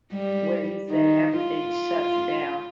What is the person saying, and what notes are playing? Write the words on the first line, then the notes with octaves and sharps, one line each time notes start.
where you said everything shuts down,
G3
D#3
F4